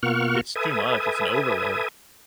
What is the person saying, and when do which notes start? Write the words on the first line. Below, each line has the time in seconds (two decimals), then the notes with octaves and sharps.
It's too much, it's an overload.
0.03 B2 A#3 F4 F#5 C#6 F6
0.56 A4 B4 E5 G#5 D#6